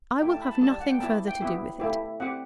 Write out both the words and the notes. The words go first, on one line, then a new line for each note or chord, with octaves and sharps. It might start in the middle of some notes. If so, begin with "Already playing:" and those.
I will have nothing further to do with it.
A3 E4 G4 G5
A5
B5
A5
G3 D4 G4 A5
A5
F#5
G5
B3 E4 G4 A5
G5
B3 E4 G4
A3 E4 G4
C4 G4 F#5